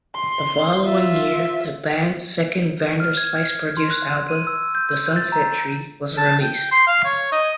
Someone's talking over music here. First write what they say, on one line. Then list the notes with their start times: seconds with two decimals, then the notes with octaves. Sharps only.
The following year, the band's second Vanderslice-produced album, "The Sunset Tree", was released.
0.16 C6
0.83 F4 E5
3.00 F6
3.17 G#6
3.77 C6
3.91 F#6
4.29 D#7
4.47 E6
4.75 G6
4.89 G6
5.16 A6
5.32 A#5
6.17 A5
6.42 G5
6.71 C6
6.87 F5
7.05 C#5
7.32 D#5